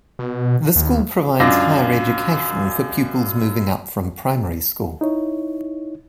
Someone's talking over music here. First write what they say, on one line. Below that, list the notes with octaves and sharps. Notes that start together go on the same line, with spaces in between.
The school provides higher education for puplis moving up from primary school.
B2
D#2
C#2 F#2 D4 F4 D6 A#6
D#4 E4 C#5